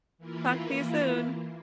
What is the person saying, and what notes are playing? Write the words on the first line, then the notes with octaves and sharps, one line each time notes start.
Talk to you soon.
E3 A#3 E4 F4